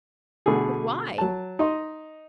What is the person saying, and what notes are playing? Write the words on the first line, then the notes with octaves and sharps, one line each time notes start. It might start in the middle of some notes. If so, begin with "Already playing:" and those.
But why?
B2 D3 A3 G#4
F#3 A5
D#4 D#5 C6